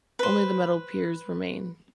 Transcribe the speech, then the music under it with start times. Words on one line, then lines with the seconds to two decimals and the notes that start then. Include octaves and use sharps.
Only the metal piers remain.
0.19 B4 C5